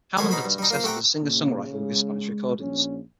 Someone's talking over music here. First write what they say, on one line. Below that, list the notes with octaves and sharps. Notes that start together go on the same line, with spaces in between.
Hammond had success as a singer-songwriter with his Spanish recordings.
F#2 A3 C5 E5 G#5 A5
B2 D#4 C5 B5
G2
G3 D#4
A#3 F4 C5
A3 C4 G4 F#5 G5 A#5
A#2 C#3
G#3
A#1 C#4